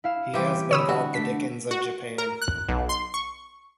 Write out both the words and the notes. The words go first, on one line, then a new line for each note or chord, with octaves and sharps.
He has been called the Dickens of Japan.
E4 F5 E7
E3 G3 C4 E4 G4
D3 C#5 B5 D#6 E6
G3 F#4
A3 D4 B6
F#4
A#4
F#6
B1
C6
C#6